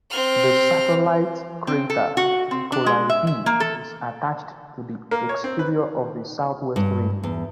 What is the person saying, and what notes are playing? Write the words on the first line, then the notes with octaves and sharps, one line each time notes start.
The satellite crater Nicolai B is attached to the exterior of the southwest rim.
C4 F6
C4
A4
F#4
C4
D4
G#3
E5
E5
A#3
A4
A#3
C#5
C4
B4
G2
E2